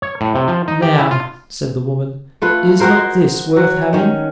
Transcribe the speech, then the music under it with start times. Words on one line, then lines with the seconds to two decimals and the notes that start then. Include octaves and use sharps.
"Now," said the woman, "is not this worth having?"
0.02 C#5
0.21 A2
0.35 C3
0.48 F3
0.68 D#4
0.82 G4
0.99 E4
1.11 F4
2.42 A3 F4 B4
2.80 F#4 G#4 A#4 C5
3.56 F#3 F#4
3.93 D#3 C#4